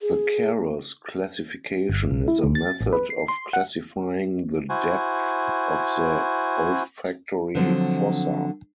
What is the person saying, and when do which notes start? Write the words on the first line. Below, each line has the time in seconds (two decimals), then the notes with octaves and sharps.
The Keros classification is a method of classifying the depth of the olfactory fossa.
0.01 G#4
1.90 G1
2.11 B1
2.28 E4
2.44 D2
2.55 A6
2.81 A1
2.93 B4
3.10 C7
3.28 C6
3.53 F#5
4.69 E4 F#4 C5 G#5
7.55 D3 F3 F#3 C4